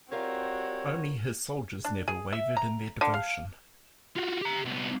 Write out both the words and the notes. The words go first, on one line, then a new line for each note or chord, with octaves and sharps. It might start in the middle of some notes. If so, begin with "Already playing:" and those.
Only his soldiers never wavered in their devotion.
G3 C4 F4 F#4 A#4 C#5 F5
D4
G#4
E5
A#5
D3
F5
F4 F#4
G4 A#5
C2 B3